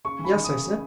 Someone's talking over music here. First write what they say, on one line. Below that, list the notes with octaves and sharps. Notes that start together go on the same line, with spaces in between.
"Yes," I said.
C#3 C#6
E3
B5
E3
D#6
C#3
C#3